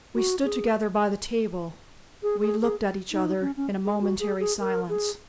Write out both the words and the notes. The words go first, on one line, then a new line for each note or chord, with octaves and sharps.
We stood together by the table; we looked at each other in a momentary silence.
F#4
G#4
G#4
G#4
G#4
D#4
C#4
C#4
G#4
F#4
G#4
G#4
A#4
G#4